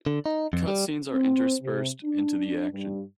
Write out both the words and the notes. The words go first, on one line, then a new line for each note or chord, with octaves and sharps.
Cut scenes are interspersed into the action.
D3
D#4
F2
G3
C4
C3
D4
G2